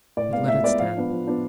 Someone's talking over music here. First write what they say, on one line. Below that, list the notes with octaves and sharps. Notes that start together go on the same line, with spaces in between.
But let it stand.
A2 D5
G#3 B3 F5
A2 E5
G#3 B3 D5
F3 F5
B3 D4 F4
F3
B3 D4 F4